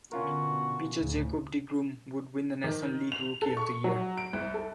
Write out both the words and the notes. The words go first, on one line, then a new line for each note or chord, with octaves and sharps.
Pitcher Jacob deGrom would win the National League Rookie of the Year.
B2 D3 C#4 F4 F#4 A#4
D2 A2 C#3
D#3
F7
A4
C#6
F#3
D7
C2
A4